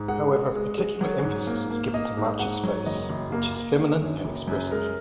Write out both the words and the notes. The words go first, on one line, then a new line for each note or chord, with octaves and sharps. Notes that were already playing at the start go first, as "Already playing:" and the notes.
However particular emphasis is given to March's face, which is feminine and expressive.
Already playing: G#2
G#3 F#5
G#3
G#3
G#3
F#3
G#2
A#3
A#3
A#3 D#5
G#2
G#2 F#5
F#3
F#1 D#5
F#1
A#3
A#3
D#3
F#2
F#1
F#2
G#3 A#4